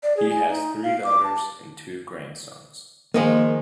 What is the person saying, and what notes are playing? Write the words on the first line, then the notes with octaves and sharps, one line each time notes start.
He has three daughters and two grandsons.
D5
G#4
G#5
D#4
F5
D6
A5
D#3 F3 G#3 A#3